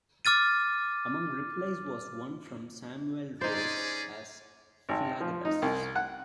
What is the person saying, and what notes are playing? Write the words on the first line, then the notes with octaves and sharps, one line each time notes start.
Among replies was one from Samuel Rolle as Philagathus.
D6 F6 A6 D#7
C#4 D#4 G#4 C5 D5
G#1
F3
D#4
C2
F#5